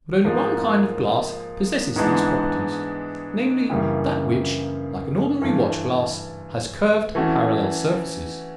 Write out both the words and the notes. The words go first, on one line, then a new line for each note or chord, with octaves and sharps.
But only one kind of glass possesses these properties; namely, that which, like an ordinary watch-glass, has curved, parallel surfaces.
G#2 F3 A#3
G#2 E3 G#3 B3 D4
F#2 C#3 E3 G3 A#3
G2 E3 A3
E3 A3 C#4 F#4